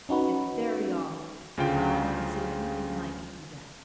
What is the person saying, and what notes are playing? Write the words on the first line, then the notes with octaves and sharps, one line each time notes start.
It's very odd; I don't see anything like it yet.'
C#4 D#4 F#4 B4
D2 C#3 F4 F5 G5